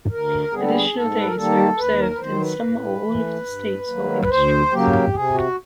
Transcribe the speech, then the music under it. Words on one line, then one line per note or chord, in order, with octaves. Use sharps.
Additional days are observed in some or all the states or industries.
D2 A#4
D3 G3 B3 G#4
A4
G#4
G#2 A4
B4
A#4
D#3 G3 A#3 A4
D#2 B4
A#4
B4
D#3 F#3 C5
B4
A2
E3 A3
G2
D#3 F#3 A#3
B4
D2 C5
C#3 F#3 A#3 G4
C3 G#4
F#4